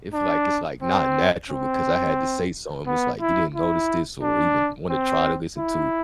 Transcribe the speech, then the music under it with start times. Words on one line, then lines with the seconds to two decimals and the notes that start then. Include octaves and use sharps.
If like it's like not natural because I had to say something, it's like, you didn't notice this or even wanna try to listen to
0.14 D4
0.82 C4
1.50 C4
2.87 B3
3.21 E4
3.54 E4
4.23 D4
4.90 C4
5.58 E4